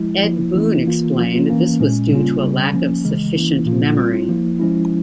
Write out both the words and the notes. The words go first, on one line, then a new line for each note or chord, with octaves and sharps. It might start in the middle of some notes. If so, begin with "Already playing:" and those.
Ed Boon explained this was due to a lack of sufficient memory.
Already playing: F3 G#3 E4
F3 A#3 E4
E3 A#3 C#4 E4
E3 A#3 F4
F3 A#3 C#4 F4
E3 A#3 C#4
A#2 G#3 C#4
C#3 G3 A#3 C#4 F4
C#3 G3 C#4
F3 A#3 C#4
C#3 E3 G#3
E3 A#3 C#4 E4
A#2 F3 A#3 F4
G3 C4 F4
F3 A#3 E4
F3 G#3 C#4 E4